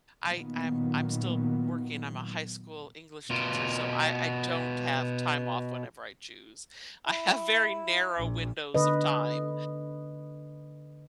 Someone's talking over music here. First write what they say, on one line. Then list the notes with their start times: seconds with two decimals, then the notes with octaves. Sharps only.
I I'm I'm still working, I'm a high school English teacher, so, I I don't have time off whenever I choose. I have very narrow windows of time.
0.23 A#2 D#3 F#3 B3
3.30 B2 F4
7.06 E4
8.17 A#1
8.74 D3 B4 D#5